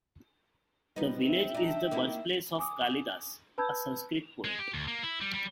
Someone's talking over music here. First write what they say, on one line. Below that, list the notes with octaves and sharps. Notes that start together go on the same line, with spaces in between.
The village is the birthplace of Kalidas, a Sanskrit poet.
F3 G3 B3 D#4
E5 G5
D4 D#4
A#3 D#4 E4
G#5 D6 D#6
B4 A5 B5 E6 G6 G#6
G#3
G4
D2
A#3
E4
G3
G3